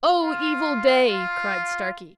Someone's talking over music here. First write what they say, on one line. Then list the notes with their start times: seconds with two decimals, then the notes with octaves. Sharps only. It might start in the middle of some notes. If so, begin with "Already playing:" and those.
"O evil day!" cried Starkey.
0.20 F4
1.07 F4